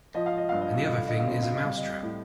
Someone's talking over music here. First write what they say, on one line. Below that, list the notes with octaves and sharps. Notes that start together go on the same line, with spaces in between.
And the other thing is a mouse-trap.
F3 D#5
F5
D#5
G2 F5
D#5
F5
D#5
D3
F5
D#5
F5
C4 D#5
F5
D#5
G3 F5
D#5
A2